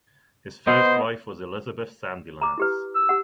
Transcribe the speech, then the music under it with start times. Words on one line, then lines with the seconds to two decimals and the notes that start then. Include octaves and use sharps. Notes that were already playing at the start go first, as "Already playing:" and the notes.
His first wife was Elizabeth Sandilands.
0.67 B3 C5 D#5
2.41 A#5 D6
2.58 E4 G4 B4
2.95 E6
3.09 G4 F#5